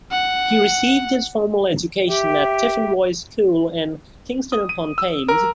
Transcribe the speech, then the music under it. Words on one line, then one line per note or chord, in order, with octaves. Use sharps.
He received his formal education at Tiffin Boys School in Kingston upon Thames.
F#5
G4 E5 G5
D#6
D#7
E6
A#4